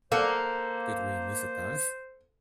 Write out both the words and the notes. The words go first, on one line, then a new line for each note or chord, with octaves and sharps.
Did we miss a dance?
A#3 A4 C5 F#5